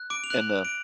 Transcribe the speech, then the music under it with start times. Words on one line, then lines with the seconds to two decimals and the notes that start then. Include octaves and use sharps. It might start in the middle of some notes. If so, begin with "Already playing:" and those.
And, um,
Already playing: F#6
0.10 D6 D7
0.24 F7
0.30 F#6 F#7
0.65 D7